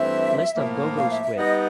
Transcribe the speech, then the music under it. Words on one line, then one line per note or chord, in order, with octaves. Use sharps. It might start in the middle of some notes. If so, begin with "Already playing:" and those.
List of Go Go Squid!
Already playing: G2 E3 A3 C4 E5
A2 F3 A#3
F5
E5
E5
G3 B3 D#4 D#5